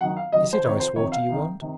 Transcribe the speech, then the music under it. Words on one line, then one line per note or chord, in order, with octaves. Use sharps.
"Is it ice-water you want?"
F#2 D#3 F#5
F5
F#2 D#3 D#5
C5
F2 C3 D#3 C#5
C5
F2 C3 D#3 C#5
F5
C2 C3 D#3
C3 D#3